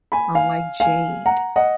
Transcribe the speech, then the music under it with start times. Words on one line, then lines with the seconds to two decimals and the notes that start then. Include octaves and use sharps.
"Unlike Jade."
0.12 G#5 B5
0.35 F5 G#5
0.80 F5 G#5
1.26 F#5 A#5
1.56 D#5 F#5